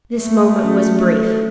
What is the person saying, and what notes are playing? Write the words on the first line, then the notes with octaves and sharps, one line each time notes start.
This moment was brief.
A3
F#3 C#4 F#4
A4